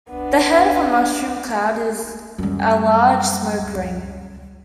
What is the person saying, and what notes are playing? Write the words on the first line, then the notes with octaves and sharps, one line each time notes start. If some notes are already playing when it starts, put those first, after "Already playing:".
The head of a mushroom cloud is a large smoke ring.
B3 D4
F#2 G3